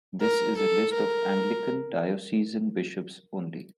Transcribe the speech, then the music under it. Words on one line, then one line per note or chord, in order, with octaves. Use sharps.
This is a list of Anglican Diocesan Bishops only.
A#4
A4
A#4